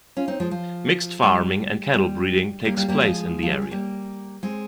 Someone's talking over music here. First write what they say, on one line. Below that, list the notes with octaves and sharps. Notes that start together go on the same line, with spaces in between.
Mixed farming and cattle breeding takes place in the area.
C#4 F4
C4 D#4
F3 G#3
F3
G3
G3
G3 A#3
G3 A#3
G3 A#3
F3 G#3
F3
G3
G#3
G3 A#3
G#3 C4